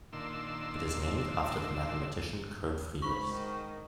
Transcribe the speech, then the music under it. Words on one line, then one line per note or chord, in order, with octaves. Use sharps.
It is named after the mathematician Kurt Friedrichs.
A#2 D#3 D4 C6 E6
G#2 B5 C#6
D#3